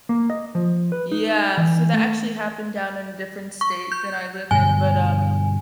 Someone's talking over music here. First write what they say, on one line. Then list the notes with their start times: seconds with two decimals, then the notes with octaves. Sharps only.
Yeah, so, that actually happened down in a different state than I live in, but, um,
0.09 A#3
0.30 D#5
0.55 F3
0.92 B4
1.12 D#4
1.57 E3
1.94 A3
3.61 C#6
3.92 G6
4.51 G2 B2 D3 G#5